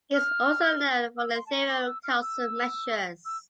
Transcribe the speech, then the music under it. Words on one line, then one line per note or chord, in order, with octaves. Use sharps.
He is also known for the theory of Carleson measures.
F6
E6
C6
A5
A#5
D6
E6
F6
E6
E6